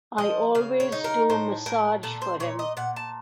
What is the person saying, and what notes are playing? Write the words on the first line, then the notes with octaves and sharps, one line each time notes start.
I always do massage for him.
F3 D#5
C#3 F5
C#5
D#4
A#4
A2 C5
A2 A#4
A#2 A4
C5
A#2 C#5
D#5
A#2 F#5
A5